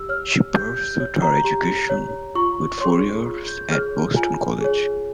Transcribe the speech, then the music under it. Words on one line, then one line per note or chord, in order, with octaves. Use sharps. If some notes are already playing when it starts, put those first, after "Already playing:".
She pursued her education with four years at Boston College.
Already playing: G4 E6
C#5 F6
G4 G6
G6
C#5
A#5
G4
C#5
F4 C#6
G#4 C#5 C6
F4
G6
G#4 C#5 F6
F4 G#5
G#4 C#5